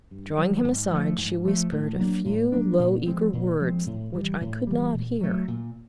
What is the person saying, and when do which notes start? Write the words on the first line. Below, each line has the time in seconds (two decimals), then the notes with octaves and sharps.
Drawing him aside, she whispered a few low eager words which I could not hear.
0.11 G2
0.38 D#3 F#3
0.64 G#2
0.91 F3 A3
1.18 G#2
1.45 F3 A3
1.72 A2
1.99 F#3 A#3 D4
2.25 A2
2.52 F#3 A#3 D4
2.79 A#2
3.06 F3 G#3 C4
3.33 A#2
3.60 F3 G#3 C4
3.86 A2
4.13 E3 G3
4.41 A2
4.67 E3 G3
4.94 A#2
5.21 F#3 A3
5.48 A#2